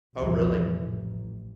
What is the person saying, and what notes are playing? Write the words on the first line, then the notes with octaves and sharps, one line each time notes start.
Oh, really?
F#1 C2 F2 A#2 E3
A1